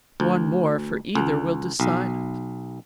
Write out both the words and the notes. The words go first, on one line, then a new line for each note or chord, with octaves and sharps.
One more for either will decide it.
D2
C#2
B1